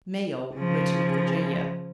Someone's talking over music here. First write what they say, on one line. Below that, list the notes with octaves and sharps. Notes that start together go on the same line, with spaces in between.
Mayo, Richmond, Va.
C#3 F3